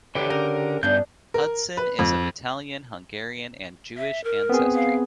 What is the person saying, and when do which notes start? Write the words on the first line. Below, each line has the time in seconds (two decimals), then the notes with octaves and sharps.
Hudson is of Italian, Hungarian and Jewish ancestry.
0.15 D3 G4 A4 B4 C#5
0.30 C#3 A#4
0.83 G2 B3 D4 G#4 G6
1.34 A#4
1.77 B4
1.99 F2
3.97 E5
4.24 A#4
4.49 B3 C4 G#4
4.75 F5